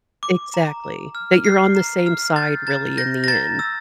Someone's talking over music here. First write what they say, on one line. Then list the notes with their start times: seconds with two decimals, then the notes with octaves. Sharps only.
Exactly. That you're on the same side really in the end.
0.23 D6
0.54 A#5
0.84 A#5
1.15 F6
1.44 F6 C7
1.76 A#5
2.06 F6
2.36 G6 A6
2.67 A#5 A6
2.97 G6 A#6
3.24 A#6
3.28 A#5 A6
3.59 E6